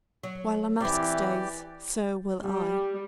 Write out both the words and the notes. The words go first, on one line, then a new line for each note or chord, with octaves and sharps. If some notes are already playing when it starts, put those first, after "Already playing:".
"While La Masque stays, so will I."
F#3
E3 C4 E4 G4 D5
G3